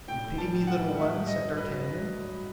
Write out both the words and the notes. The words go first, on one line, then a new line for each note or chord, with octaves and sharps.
"You pity me, little one?" said d'Artagnan.
A2 G5
A2
G3 A5
A2
A2 F#5
G3
A2 E5
A2
G2 D#5
F#3
F#3 B4
F#3
F#3
G2
F#3